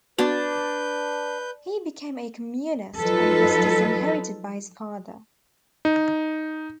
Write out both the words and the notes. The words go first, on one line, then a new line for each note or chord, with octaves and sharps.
He became a Communist and was disinherited by his father.
B3 D4 F#4 B4 G6
F3 F#3 D#4 F4 A4 B4
D#4